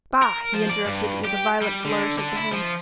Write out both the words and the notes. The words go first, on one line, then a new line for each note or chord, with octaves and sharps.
"Bah!" he interrupted, with a violent flourish of the hand.
A#4
F3
D5
G2
G4
G3
D3
D3
E4
F3